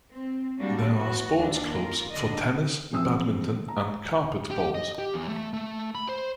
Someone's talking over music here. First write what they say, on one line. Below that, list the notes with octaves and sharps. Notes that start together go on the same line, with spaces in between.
There are sports clubs for tennis, badminton and carpet bowls.
C4
G3 G#3 A#3 D4 F#4
E3 B3 F#4
D#2 D#3 D4
F4 A#4
D3 D4 D#5
C#3 E3 F3 C4 D#6 E6
A#5
G4
D#5
G4
E2
A3
A3
B5
C5